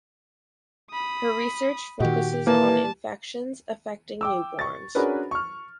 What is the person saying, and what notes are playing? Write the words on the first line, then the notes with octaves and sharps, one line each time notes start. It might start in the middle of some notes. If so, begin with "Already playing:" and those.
Her research focuses on infections affecting newborns.
B5 D#6
A#2 D#3 F#4 G4
E3 A#3 A5
G5 D6 E6
C#6 A6
C#4 D4 F#4 G#4 A#4 B4
C#6 F6